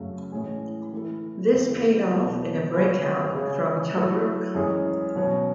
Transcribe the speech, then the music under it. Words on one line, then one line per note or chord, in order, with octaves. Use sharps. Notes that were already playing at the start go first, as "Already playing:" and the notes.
This paid off in the breakout from Tobruk.
Already playing: F#2 C#3 F#3 A3
A2 E3 G#3 C#4 G#4
E3 A3 E4 A4
E2 C#3 G#3
E2 B2 F#3
C#3 F#3 C#4 G#4 B4
C#3 G#3 C#4 G#4
F#3 A3 E4 A4
F#2 E3 G#3 C#4 G#4
B2 F#3 C#4